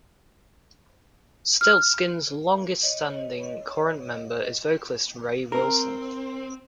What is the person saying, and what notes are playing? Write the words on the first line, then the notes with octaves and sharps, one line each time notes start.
Stiltskin's longest-standing current member is vocalist Ray Wilson.
F6
C#5 D#5
C4 A#4